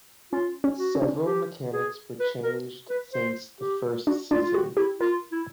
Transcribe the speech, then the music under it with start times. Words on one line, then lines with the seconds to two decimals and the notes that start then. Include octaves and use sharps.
Several mechanics were changed since the first season.
0.32 C#4 F4
0.64 C#4
0.79 F#4
0.95 C#4
1.02 D4
1.09 C#4
1.26 G4
1.73 G#4
2.20 B4
2.44 A#4
2.90 B4
3.13 C5
3.61 G4
4.07 D4 F#4
4.31 D4 F4
4.42 F4
4.54 F#4 G4
4.77 E4 G4
5.01 F4 A#4
5.32 E4